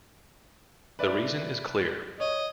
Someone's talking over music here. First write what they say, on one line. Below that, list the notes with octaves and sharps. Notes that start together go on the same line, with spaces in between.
The reason is clear.
B4 D5 E5
C#5 D#5